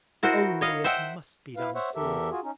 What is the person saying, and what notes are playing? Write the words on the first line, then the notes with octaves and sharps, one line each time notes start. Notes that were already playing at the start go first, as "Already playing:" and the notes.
Only it must be done soon.
E4 F#4 A#4 C5
C#5 D#5 F5
C5 E5 F#5 G5
E4 B4 F5
C5 C#5 E5 F#5
E2 G4 A4 A#4 E5
F4 F#4 G#4
C#4 D#4